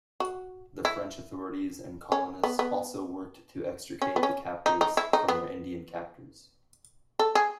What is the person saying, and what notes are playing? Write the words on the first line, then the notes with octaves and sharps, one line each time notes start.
French authorities and colonists also worked to extricate the captives from their Indian captors.
F#4
E4
C#4
B3
B3
C#4
B3
C#4
D#4
D#4
E4
D#4
B3
A4
G#4